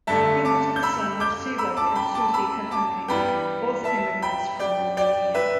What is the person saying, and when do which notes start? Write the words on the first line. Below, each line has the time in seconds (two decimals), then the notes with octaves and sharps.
He was the son of Selig and Susy Kahane, both immigrants from Romania.
0.07 G2 D3 A3 E5 A5
0.45 A5 D6
0.76 G6
0.83 B5 E6
1.20 D6 G6
1.58 B5 E6
1.77 A5 D6
1.95 G5 B5
2.15 A5 D6
2.34 B5 E6
2.71 A5 D6
3.08 G2 E3 G3 B3 G5 B5
3.84 E5 A5
4.22 G5 B5
4.59 D5 G5
4.97 D5 G5
5.34 B4 E5